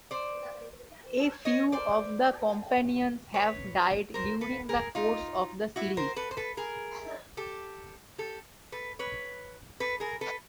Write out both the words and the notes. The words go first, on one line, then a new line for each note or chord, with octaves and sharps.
A few of the companions have died during the course of the series.
C5 D5
C#5 D#5
C5 D5
B4 C#5
A#4 C5
A4 B4
G#4 A#4
D#4 F4
E4 F#4
A#4 C5
A4 B4
C5
A4 B4
G#4 A#4
G4 A4
G4 A4
A4 B4
B4 C#5
A4 B4
G#4 A#4
A4 B4